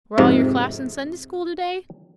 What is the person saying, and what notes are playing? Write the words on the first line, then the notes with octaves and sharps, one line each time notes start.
"Were all your class in Sunday School today?"
F2 G#2 C3